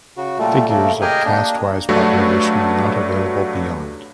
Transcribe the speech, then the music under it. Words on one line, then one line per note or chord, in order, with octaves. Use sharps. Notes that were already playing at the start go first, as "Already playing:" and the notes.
Figures of caste-wise population are not available beyond.
C#3 F#4
A#2 G3 A3
C#3 A3 A#3
G4 G#4 A#4 D#5 G5 G#5
A#3 D4
G2 F#3 A3 D4 F#4